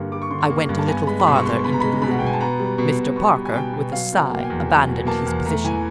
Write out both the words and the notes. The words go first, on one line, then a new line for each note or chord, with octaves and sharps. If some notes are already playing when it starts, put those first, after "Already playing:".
I went a little farther into the room, Mr. Parker, with a sigh, abandoned his position.
Already playing: G2 D3 G3 A#3
G3 D6
C#6
D3 C6
C#6
A#3
G2
A5
B3 G#5
G#3 B5
B5
B2 C6
C#6
B2 C6
B3 B5
A#5
G#3 B5
B2 B5
F#5
G5
B2
G#5
A5
B3 A#5
G3
B2
B2
B3 C#6
G3
G#5
B2 G5
B2
F#3 F5
B2
F#5
A#3
G5
G#5
E2
F#3 G#5
B2
A#3 A5
E2
A3 A#5
E3 G#5